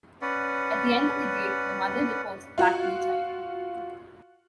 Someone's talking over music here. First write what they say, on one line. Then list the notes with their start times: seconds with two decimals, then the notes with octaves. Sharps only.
At the end of the date the mother reports back to the child.
0.22 C#4 B4 D5 F#5
2.58 F4 F#4